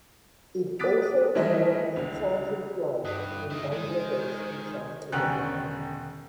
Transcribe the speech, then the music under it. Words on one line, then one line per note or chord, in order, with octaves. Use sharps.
It also operates chartered flights between Bangladesh and South Korea.
D6 D#6 F#6 A6 B6 D7
D#3 E3 G3 A3 E4 D#5
C#2 D3
G2 D#4 F#4
D#3 A#3 D#4 E4
D#3 G#3 D#4
E1 D3 D#3 C#4 G5 F#6